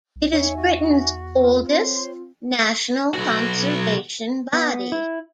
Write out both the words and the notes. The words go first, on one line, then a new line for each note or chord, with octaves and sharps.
It is Britain's oldest national conservation body.
B1
E2 D#4 C#5 E5 G#5
F#4
C4 F4
C5 C#5 C6
B1 F#4
B3
E4